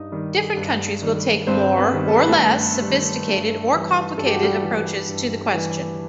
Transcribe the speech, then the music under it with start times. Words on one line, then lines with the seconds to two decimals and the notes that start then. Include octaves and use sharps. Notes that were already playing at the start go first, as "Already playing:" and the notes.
Different countries will take more or less sophisticated, or complicated approaches to the question.
Already playing: G2 D#4 D#5
0.12 D#3 G3
0.57 G2
1.01 D#3 G3
1.47 G2 C4 C5
1.77 B3 B4
1.93 D#3 G3
2.08 A4
2.18 B4
2.28 A3 A4
2.37 G2
2.82 D#3 G3
3.28 G2
3.72 E3 G3
4.18 G2 A4
4.26 G4
4.34 F#4
4.42 G3 G4
4.63 E3 G3
5.09 G2
5.53 E3 G3